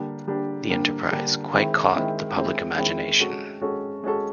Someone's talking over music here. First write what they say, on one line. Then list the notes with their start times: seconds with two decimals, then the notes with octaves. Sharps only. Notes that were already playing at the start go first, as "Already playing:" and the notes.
The enterprise quite caught the public imagination.
Already playing: D3 G3 A#3 D4 G4
0.28 D3 G3 A#3 D4 G4
0.69 D3 G3 A#3 D4 G4
1.10 D3 G3 A#3 D4 G4
1.53 D#3 G#3 C4 E4
1.95 D#3 G#3 C4 E4
2.36 D#3 G#3 C4 E4
2.78 D#3 G#3 C4 E4
3.19 G#3 C#4 F#4 A4
3.61 G#3 C#4 F#4 A4
4.04 G#3 C#4 F#4 A4